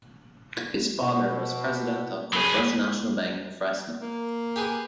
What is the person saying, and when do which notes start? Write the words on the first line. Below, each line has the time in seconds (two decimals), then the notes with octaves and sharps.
His father was president of the first national bank in Fresno.
1.02 B2
2.33 F#3 G#4 B5
4.00 A#3
4.56 G4 G#4 B4